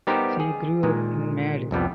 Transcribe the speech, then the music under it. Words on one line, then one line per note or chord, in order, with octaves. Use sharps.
She grew up in Made.
G3 B3 D#4 G4 A#4 C5
G#4
A#2 D#3 G#3
C2 F2 G3 B3